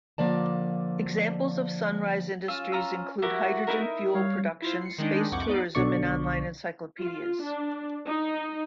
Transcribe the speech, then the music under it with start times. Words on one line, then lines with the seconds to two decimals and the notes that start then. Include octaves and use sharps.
Examples of sunrise industries include hydrogen fuel production, space tourism, and online encyclopedias.
0.18 D3 F3 A#3 D5 A5
2.48 C#4 F4 E6
2.72 F4 A#5 E6
3.22 E4 F#4 G4 A#4 F#5
3.67 D#4 E4 A#4
4.14 G3 C#5 F5
4.62 E4 F4 C5
4.81 C7 C#7
4.98 D#3 G#3 D4 D#4
5.32 C2 F2 F#5 C#6 D6 G6
5.47 B3 D#4 D5
5.75 B1 B2 D3 D5 C#6
6.99 F4
7.44 D4
8.07 D#4